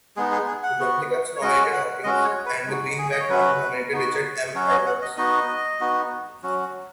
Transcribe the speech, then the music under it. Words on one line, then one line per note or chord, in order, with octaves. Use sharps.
Republicans nominated Hawkins, and the Greenback Party nominated Richard M. Edwards.
G#3 B3 D#4 G#4
G#4
G#4
F#5
B3 F#4
C#5
G#3 C#4 F#4 D#5
F#5
G#3 C#4 F#4 D#5
C#5
B4
G#3 D#4 F#4
G#4
D#5
C#5
F#3 C#4 F#4 B4
B3 D#4 F#4
F#3 C#4 F#4 C#5
D#5
F#5
D#5
B3 D#4 F#4 D#5
B3 D#4 F#4
F#3 C#4 F#4